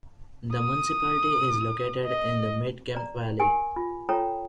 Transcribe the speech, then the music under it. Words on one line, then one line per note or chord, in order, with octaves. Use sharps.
The municipality is located in the mid-Kempt valley.
D#6
D#5
D5 A#5
G4 A#4 G#5
F4
F4 A4 C#5 G5 A#5